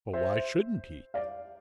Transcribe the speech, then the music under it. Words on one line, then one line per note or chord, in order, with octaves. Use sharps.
"Why shouldn't he?"
C5 E5
D5 F5